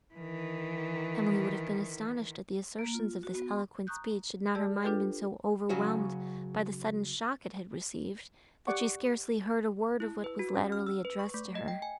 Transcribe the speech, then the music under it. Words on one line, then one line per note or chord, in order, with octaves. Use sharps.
Emily would have been astonished at the assertions of this eloquent speech, had not her mind been so overwhelmed by the sudden shock it had received, that she scarcely heard a word of what was latterly addressed to her.
D#3 E3
A#3
F4
F#4
B3
C6
A#5 C#6 D#6 F#6 G6
G4 G#4 D5 A5 E6
D4 F4 G4 A4 B4 G5
C#3 F#3 F#4
G4 D5 F#5 C#6 D6
E4
B4
F#4
C#4
F6
E6
B4
C#6
A3
D#5
G5
G#5